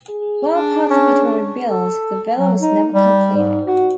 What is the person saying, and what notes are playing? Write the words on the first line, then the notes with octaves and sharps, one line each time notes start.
While parts of it were rebuilt, the villa was never completed.
G#4
D4
C#4 D4
A4
F#3
D#4
G3
G#2
F#4